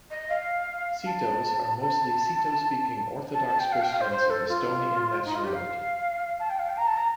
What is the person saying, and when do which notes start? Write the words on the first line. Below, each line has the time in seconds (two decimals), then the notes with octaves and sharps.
Setos are mostly Seto-speaking Orthodox Christians of Estonian nationality.
0.11 D#5
0.29 F5
1.06 A5
1.82 A5
3.34 A5
3.47 A5
3.60 G5
3.73 F5
3.82 G5
3.92 F5
4.01 C5
4.12 C5
4.30 A4
4.49 F4
5.25 D#4
5.35 F4
5.44 G4
5.54 F5
6.40 A5
6.50 G5
6.59 F5
6.69 G5
6.78 A#5
6.87 A5
6.97 A#5